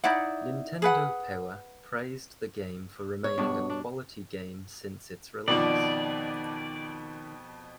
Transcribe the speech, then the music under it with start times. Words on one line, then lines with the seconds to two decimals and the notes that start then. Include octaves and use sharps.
"Nintendo Power" praised the game for remaining a quality game since its release.
0.04 D#4 E4 D5 F#5
0.82 G#4 B4 F#5
3.24 C#5
3.38 G2 B2 B3 D4
3.70 D4
5.48 F2 B2 D#3 F3 D5